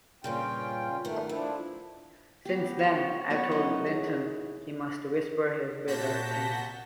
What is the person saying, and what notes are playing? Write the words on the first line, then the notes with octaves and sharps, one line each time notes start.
Since then, I’ve told Linton he must whisper his bitter things.
G2 A#2 C#3 C#4 F4 G5
D#3 A3 B3
F3 A3 D4 E4
B3 G4
C#5 G5
F#3 B3 F#4 C#5
F#3 D#4 E4 F#4
G#4
A#2 F#4 A5 G6 A#6 B6